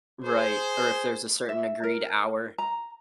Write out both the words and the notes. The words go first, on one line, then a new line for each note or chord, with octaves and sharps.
Right. Or if there's a certain agreed hour.
G#4 C5
E5
A#4
A#5